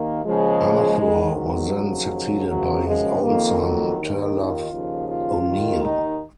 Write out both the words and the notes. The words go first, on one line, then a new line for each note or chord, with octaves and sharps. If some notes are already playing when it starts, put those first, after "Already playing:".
Arthur was then succeeded by his own son, Turlough O'Neill.
Already playing: D#2 D#3 A#3
D#2 C#3 F3 G#3
G#2 D#3
F#3
D#2 C#3 F3
F#2 C#3 F3 F#3
G#3
F2 D#3 A#3
F#3
D#2 D#3
F4
D#2 C#3 F3
F4
D#2 D#3
D#4